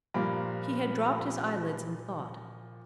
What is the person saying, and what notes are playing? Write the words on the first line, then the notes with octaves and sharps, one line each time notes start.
He had dropped his eyelids in thought.
G2 A#2 F3 A#3 B5